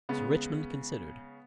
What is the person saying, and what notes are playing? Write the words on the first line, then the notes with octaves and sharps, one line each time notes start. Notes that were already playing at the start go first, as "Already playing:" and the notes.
Sir Richmond considered.
C#3 G#3 B3